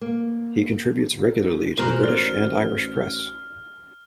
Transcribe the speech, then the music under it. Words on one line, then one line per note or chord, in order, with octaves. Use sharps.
He contributes regularly to the British and Irish press.
A#3
E2 B2 G#3 F4 F#4 A#4 C5
A1 D5 F6